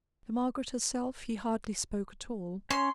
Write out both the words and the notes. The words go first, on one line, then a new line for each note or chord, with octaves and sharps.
To Margaret herself he hardly spoke at all.
C#4 C#5 C6